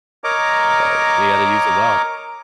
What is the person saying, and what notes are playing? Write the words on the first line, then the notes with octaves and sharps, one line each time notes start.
but you gotta use it well,
A#4 C#5 D#5 A#5 D6